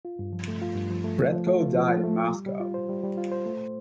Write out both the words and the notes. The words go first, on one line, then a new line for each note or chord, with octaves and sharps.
Red'ko died in Moscow.
F4
G2
F3
A3
F4
G2
F3
A3
F3
F3
A3
F4
F3
F3
A3
F4
G3
G3
F4
C5
G3
G3
F4
C5
A3